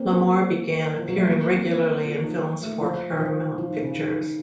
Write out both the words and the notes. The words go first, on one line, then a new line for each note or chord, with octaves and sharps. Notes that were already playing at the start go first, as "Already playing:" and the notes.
Lamour began appearing regularly in films for Paramount Pictures.
Already playing: A#3 C4
C#4
F3
F#3
A3
A#3
C4
F4
D#4
A3
F3
D#3
F3
F3
D#3
C#3
D#3